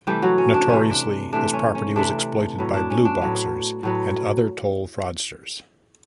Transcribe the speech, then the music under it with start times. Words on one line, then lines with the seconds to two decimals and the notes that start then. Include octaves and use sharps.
Notoriously, this property was exploited by blue boxers and other toll fraudsters.
0.07 C3 E3 G3 A3 G4
0.22 F#3 F#4
0.38 C#4
0.54 D4
0.69 C3 E3 A3 C#4
0.91 D4
1.33 C3 E3 A3 D4
1.53 C#4
1.75 C#4
1.96 C3 E3 A3 D4
2.58 A2 F#3 B3
2.74 D4
2.90 C#4
3.05 D4
3.21 A2 F#3 B3
3.83 A2 F#3 B3